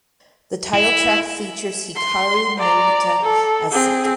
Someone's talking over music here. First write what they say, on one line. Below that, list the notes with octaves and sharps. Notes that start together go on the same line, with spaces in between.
The title track features Hikaru Morita as center.
E4
C6
D5 A#5
A4
C4 G#4